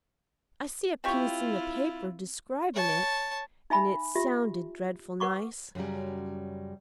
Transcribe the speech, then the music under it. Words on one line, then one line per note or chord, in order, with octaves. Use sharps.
I see a piece in the paper describing it, and it sounded dreadful nice.
C4 E4 F4 G4 C#6
C#5 A5
D#4 E5 G#5 B5
F4 G4 E5
B4 F#5 C#6 D6
F#2 C#3 E3 F#3 G3